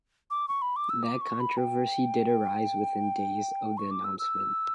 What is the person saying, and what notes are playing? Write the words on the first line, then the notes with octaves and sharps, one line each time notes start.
That controversy did arise within days of the announcement.
D6
C#6
B5
D6
E6
D6
C#6
B5
G5
C#6
D6
E6
E6